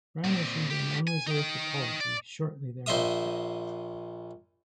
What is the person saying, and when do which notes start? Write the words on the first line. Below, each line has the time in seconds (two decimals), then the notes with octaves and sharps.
Brown issued an unreserved apology shortly thereafter.
0.24 A#2 C4
0.70 C#2 G4
1.08 G#5
1.27 D#4 G5
2.01 D5
2.86 A#1 C5 D#5 E5 D#6